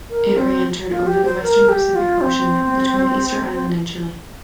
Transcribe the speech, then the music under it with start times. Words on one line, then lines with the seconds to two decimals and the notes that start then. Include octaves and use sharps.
It reentered over the western Pacific Ocean between Easter Island and Chile.
0.10 A#4
0.37 C4
0.89 F4
1.07 G4
1.24 C5
1.43 A#4
1.69 G4
1.95 F4
2.21 C4
3.53 C4